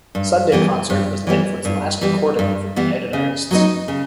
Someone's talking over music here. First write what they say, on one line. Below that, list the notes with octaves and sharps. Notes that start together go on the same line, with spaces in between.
"Sunday Concert" was Lightfoot's last recording for United Artists.
G2
E3 G3 B3
G2
E3 G3 B3
G2
E3 G3 B3
G2
E3 G3 B3
C#3
F#3 B3 D#4
C#3